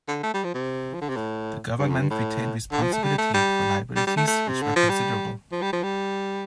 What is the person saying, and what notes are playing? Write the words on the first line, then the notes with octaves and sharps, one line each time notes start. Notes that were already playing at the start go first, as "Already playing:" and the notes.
The government retained responsibility for liabilities, which were considerable.
D3
A3
G3
F3
C3
F3
D3
C3
A2
G2
F2
G2
A2
D3
F3
A3
G3
A3
G3
G3
G3
A3
A3
C3
D3
F3
G3
F3
G3
F3
G3